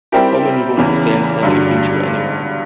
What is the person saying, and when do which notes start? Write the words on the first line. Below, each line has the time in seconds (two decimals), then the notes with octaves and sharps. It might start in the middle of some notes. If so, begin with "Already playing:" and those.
'How many women's games have you ever been to, anyway?
0.12 G3 C4 E4 G4 A#4
0.77 E2 C#3 E3
1.43 G2 D3 F#3